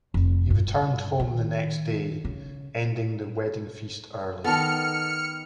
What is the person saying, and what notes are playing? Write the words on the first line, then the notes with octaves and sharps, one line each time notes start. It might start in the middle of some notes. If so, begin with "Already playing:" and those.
He returned home the next day, ending the wedding feast early.
F1
G2
D#3
C#3
D#3 B3 A4 F6 C#7